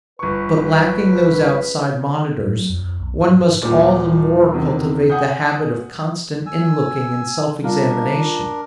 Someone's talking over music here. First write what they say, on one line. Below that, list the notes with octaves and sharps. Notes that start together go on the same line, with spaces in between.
But lacking those outside monitors, one must all the more cultivate the habit of constant inlooking and self-examination.
G1 B4 C#6
A2
F#3
F2
F2
B1
G#2
G#2
D#1 A#2
E2 C3 D#3
F#5 G#5 D#6 G6
G#5 E6
G3 D4 F4 A#4 F5